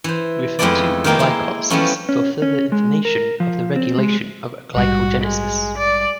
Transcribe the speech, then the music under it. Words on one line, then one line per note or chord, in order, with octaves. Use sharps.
Refer to glycolysis for further information of the regulation of glycogenesis.
E3 C5
F2 G#3 A3 B3 E4 D5
D#3 F3 G3 A#3 D#4 G#4
G#3 E4
E3 F3 G3 A3 B3 C#4
C#4
C#4
G#3
A#4
F3
C4
G#3
A#1 G#2 G3 F#4
G#3
D5